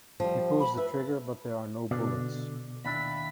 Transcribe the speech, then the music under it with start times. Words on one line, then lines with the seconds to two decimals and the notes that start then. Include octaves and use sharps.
He pulls the trigger but there are no bullets.
0.20 F3 G3
0.60 B5
0.77 B4 E5
1.91 B2 D3 D5
2.85 D#2 D4 E4 B5